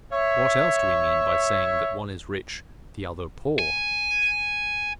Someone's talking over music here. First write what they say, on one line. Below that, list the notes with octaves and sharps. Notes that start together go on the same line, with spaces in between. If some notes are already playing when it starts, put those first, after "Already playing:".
What else do we mean by saying that one is rich, the other poor?
C#5 E5
G#5